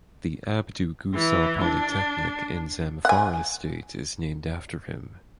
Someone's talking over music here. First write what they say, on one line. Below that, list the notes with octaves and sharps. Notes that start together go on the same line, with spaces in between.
The Abdu Gusau Polytechnic in Zamfara state is named after him.
E3
D4
F#5 G#5